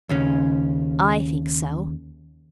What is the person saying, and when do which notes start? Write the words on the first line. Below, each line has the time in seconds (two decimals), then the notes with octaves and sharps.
"I think so."
0.09 D#2 C#3 C#4